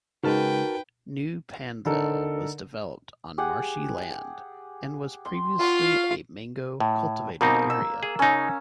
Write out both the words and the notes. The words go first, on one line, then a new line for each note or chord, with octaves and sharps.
New Panvel was developed on marshy land and was previously a Mango cultivated area.
C#3 G#3 D#4 F#4 A#4 B4 G5 A5
D3 D#4 A4 A#4
G4 G#4 F#5
C6
F4 F5 F#5 B5 C#6
A2
B2 A#3 C4 D#4
E6
G#4
C#3 C#4 D#4